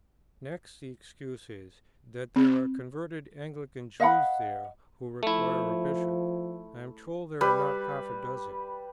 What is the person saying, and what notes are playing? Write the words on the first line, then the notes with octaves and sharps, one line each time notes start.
Next, the excuse is, that there are converted Anglican Jews there who require a Bishop; I am told there are not half-a-dozen.
C4
D#5 F5 F#5 B5
F3 A3 E4
G3 B4